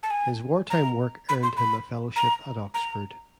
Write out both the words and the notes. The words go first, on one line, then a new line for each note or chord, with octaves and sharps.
His war time work earned him a fellowship at Oxford.
A5
G#5
A#5
B5
C6
B5
A#5
A#5